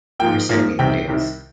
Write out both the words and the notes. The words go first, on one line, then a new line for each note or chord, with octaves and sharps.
Her sent me the news.
G#2 F3 A#3 G5
G#2 F3 A#3
C2 C3 D#3 G5
C2 C3 D#3